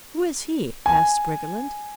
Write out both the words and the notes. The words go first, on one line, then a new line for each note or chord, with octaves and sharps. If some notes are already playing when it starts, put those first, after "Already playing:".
"Who is he?" asked Briggerland.
G#5